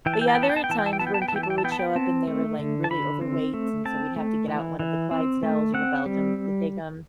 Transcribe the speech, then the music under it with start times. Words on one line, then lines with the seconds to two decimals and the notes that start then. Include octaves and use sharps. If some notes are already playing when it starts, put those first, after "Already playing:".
But, yeah, there are times when people would show up and they were, like, really overweight, and so we'd have to get out one of the Clydesdales or the Belgians to take 'em.
0.06 E3 G5
0.14 A5
0.21 G5
0.28 A5
0.35 G5
0.38 B3
0.43 A5
0.50 G5
0.56 A5
0.64 G5
0.69 E3 A5
0.79 G5
0.86 A5
0.93 G5
0.99 B3 A5
1.07 G5
1.14 A5
1.22 G5
1.28 A5
1.32 E3 G5
1.43 A5
1.50 G5
1.58 A5
1.64 B3 G5
1.72 A5
1.79 G5
1.96 C4 A5
2.27 A3
2.59 D3
2.84 A5
2.90 D3 B5
3.21 C4
3.54 A3
3.85 C4 A5
4.16 A3
4.48 E3
4.79 E3
5.11 C4
5.43 A3
5.74 C4 F#5
6.06 G3